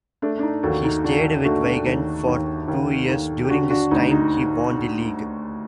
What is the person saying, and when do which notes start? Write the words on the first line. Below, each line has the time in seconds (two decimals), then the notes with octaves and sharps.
He stayed with Wigan for two years during this time he won the league.
0.22 A3 D4
0.39 D4
0.43 D#4
0.63 D#2 F#4 A4
0.84 D#4
1.04 D3 D4 F#4
1.45 A3 D4 F#4
1.65 D4
1.86 D#2
2.27 D#2
2.68 D#2
3.09 D#2
3.44 G4
3.50 D3 D4 F#4
3.70 D4 F#4
3.91 D2 D#4
4.11 D#4